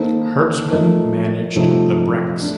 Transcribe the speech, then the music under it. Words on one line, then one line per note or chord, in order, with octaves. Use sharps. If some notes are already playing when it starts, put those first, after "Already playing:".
Hertzman managed the Brecks.
Already playing: D#3 A#3 D#4 A4 C5
F3 A3 D#4 A#4 D#5
C3 F3 A3 C4 D#4
A3 D4